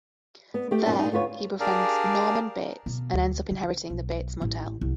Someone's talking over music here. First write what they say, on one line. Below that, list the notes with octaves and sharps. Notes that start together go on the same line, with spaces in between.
There he befriends Norman Bates and ends up inheriting the Bates Motel.
B3
A3 G4 G5
F#2 A#2 C#4 D#4 A5
A#2 D#4
D2 B3 F4 B4 C#5
D4 G4 G#4 A#4 D5 F5
B2
D2
C#3
B1
A1
C2